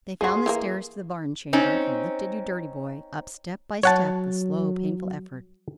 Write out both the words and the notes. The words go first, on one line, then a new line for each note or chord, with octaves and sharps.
They found the stairs to the barn chamber, and lifted You Dirty Boy up step by step with slow, painful effort.
F3 F#4 G#4 C6
E3 G#3 A#3
C4 C#4 D#4
F#3 C#5 F#5 A5